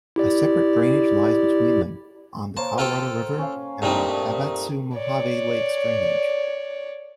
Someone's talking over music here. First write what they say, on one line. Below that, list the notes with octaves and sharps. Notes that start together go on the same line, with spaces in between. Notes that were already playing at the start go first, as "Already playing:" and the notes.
A separate drainage lies between them on the Colorado River, the "Havasu-Mohave Lakes Drainage".
E4 G4 D5
A#3 C5 C#5 A5
F4 A4 C5 G5
C#4 F5
G2 A#2 A3 C4 D4 D#4
C#5 D5